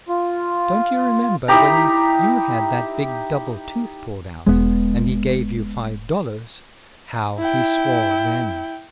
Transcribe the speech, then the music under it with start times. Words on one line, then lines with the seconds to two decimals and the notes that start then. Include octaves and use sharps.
Don't you remember when you had that big double tooth pulled out, and he gave you five dollars, how he swore then?
0.09 F4
1.48 D#4 E4 G4 A#5
4.46 E1 G#3 B3
7.39 E4 G5